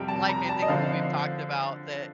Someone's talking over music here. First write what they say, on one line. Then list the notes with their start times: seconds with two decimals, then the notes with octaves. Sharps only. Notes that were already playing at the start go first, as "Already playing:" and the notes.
l like I think we've talked about that
Already playing: F2 C3 G3 G5
0.08 A5
0.29 A#5
0.49 A5
0.62 D#5
0.68 D3 F3 C4 F4 F5